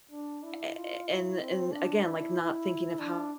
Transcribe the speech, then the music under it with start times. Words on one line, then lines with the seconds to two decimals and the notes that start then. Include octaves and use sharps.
a a and and again, like, not thinking of how
0.11 D4
0.43 E4
0.75 F4
1.07 E4
1.40 C4
1.72 D4
2.03 E4
2.99 D4